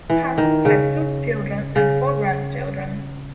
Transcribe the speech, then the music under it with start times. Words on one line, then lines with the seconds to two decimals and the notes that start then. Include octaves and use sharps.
Tass has two children and four grandchildren.
0.10 E3
0.38 D#3
0.65 C#3
1.76 C#3